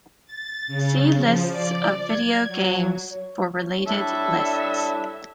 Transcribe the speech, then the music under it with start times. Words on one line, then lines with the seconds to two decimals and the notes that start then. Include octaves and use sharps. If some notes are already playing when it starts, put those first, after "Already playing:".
See Lists of video games for related lists.
0.26 A6
0.67 C#3
1.17 F3
1.50 D5
2.04 G#6
2.47 F#3
3.12 C#5
3.87 G3 D4 E4 A4 E5